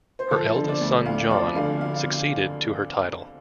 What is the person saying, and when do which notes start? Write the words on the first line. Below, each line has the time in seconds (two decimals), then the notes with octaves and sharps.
Her eldest son, John, succeeded to her title.
0.19 C5
0.31 F3 A4
0.56 D3
0.69 D5
0.81 D2
1.06 D2 F5
1.30 F3 D5
1.55 D3 F5
1.81 F5